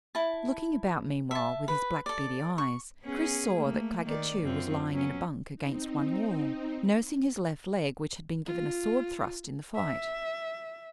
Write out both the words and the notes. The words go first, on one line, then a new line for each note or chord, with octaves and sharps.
Looking about meanwhile with his black beady eyes, Chris saw that Claggett Chew was lying in a bunk against one wall, nursing his left leg which had been given a sword thrust in the fight.
E4 A5
E5 A5
B4
A4 D5
C#6
B3 C#4 G#4
A3 A#3
D#3 D5
F#2 C4 F4
F#3 B3 C#4
C4 D#4
F4
E5